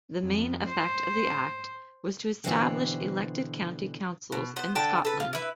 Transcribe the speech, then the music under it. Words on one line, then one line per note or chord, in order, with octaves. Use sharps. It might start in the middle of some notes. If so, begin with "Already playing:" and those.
The main effect of the Act was to establish elected county councils in Scotland.
F2
C5
B2 D3 E3 C5 F#5 G5
B2
B3 C5
D3 G5 A5
A4 B4
F4
E4 B4